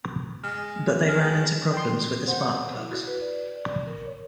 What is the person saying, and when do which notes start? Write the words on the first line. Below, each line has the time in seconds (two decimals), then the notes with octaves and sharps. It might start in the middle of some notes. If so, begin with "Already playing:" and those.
But they ran into problems with the spark plugs.
0.44 G#3 F6
1.09 G#3 F6
1.73 G5 C6
2.28 C5 F#5
2.78 E4
2.91 F#4
3.07 B4
3.21 D5
3.57 D5
3.87 A#4
4.06 C#5